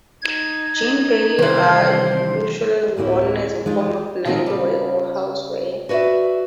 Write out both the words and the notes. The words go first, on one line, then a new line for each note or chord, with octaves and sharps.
"Jinbei" are usually worn as a form of nightwear or house wear.
D#4 G#6
C3 D#3 E3 G3 C5
D2 A2 A#3 C4 E4
G#3 D#4 F4
D#3 F3 G#3 C4 D#4 F4
C#3 G3
F#4 B4 C#5 D5 E5